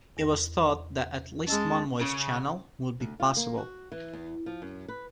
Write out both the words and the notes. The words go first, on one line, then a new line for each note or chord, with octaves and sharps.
It was thought that at least one voice channel would be possible.
E2 A#6
G#3 C#4 D#5 A5 E6
C#3
D2
F4
A#3
F#4
E3
E2
F3
F#2
B4